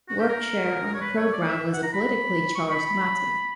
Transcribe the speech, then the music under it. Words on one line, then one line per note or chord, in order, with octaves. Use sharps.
Workshare on the programme was a politically charged matter.
F#4
G4
A#4
C#5
B4
C#5
D5
E5
F#5
A#5
B5
C#6
B5
B5